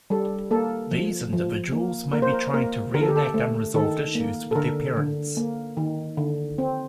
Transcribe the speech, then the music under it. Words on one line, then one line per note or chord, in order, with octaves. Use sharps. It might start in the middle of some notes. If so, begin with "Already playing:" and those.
These individuals may be trying to reenact unresolved issues with their parents.
G3 A4
A#3 A4
F3
F3
A#3
A#3 A#4
C5
A#4
A#3 A#4
D3 A#4
A4
G4
A4
A3
D#3 A4
A#3
A4
D3 A#4
D3
A#3
D#3
D3
C4